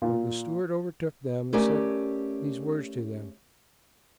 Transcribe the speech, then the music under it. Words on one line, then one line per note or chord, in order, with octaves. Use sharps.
So the steward overtook them and said these words to them.
A#2
A3 C#4 G4 A#4 D5 G#5